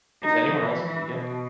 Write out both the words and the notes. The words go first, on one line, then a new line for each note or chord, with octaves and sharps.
Is anyone else bleeding?
D#4
E3
E3
B2